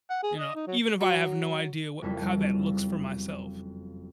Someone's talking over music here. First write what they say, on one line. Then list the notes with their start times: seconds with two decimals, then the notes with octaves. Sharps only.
You know, even if I have no idea wha how that looks for myself.
0.10 F#5
0.23 G#4
0.38 D#5
0.55 D#4
0.67 F#3
1.01 F#3
2.02 F#1 F2 G3 E4 C5 B6